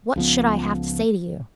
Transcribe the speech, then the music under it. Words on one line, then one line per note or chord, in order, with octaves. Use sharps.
"What should I have to say to you?"
C#2 F3 B3